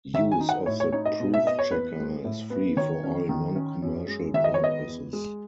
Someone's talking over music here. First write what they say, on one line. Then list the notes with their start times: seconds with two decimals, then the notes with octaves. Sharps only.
Use of the proof checker is free for all non-commercial purposes.
0.14 D#3 E5
0.32 G#5
0.40 D#4
0.49 F#5
0.66 A2 C#5
0.80 C#5
0.92 D#4 C#5
1.05 D#5
1.20 B2
1.34 E5
1.45 B3 D#5
1.59 C#5
1.71 E2 B4
1.99 G#3
2.24 A2
2.50 B3
2.77 D#3 C#5
3.03 C#4
3.29 D#3
3.55 C#4
3.82 F#2
4.08 G#3
4.34 D#3 E5
4.44 D#5
4.54 C#5
4.61 B3 D#5
4.88 E2
5.13 G#3